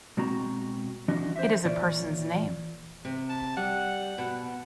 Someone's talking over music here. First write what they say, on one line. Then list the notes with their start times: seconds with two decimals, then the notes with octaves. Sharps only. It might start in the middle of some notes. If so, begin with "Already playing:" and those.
It is a person's name.
0.17 B2 G#3 C4 F#4 A#5
1.08 E3 F3 C#4 D4 F#4 D#5
1.36 C5 E5
1.65 A#2 E3 F4 C#5 D5
3.05 C3
3.29 A5
3.57 G3 F#5
4.18 B2